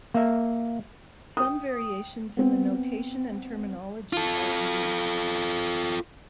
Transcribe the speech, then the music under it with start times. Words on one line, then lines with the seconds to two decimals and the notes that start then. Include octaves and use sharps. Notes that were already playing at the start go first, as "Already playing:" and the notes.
Some variations in the notation and terminology are in use.
0.14 A#3 E5
1.37 G5 D#6
2.37 B3 C4
4.13 F4 A4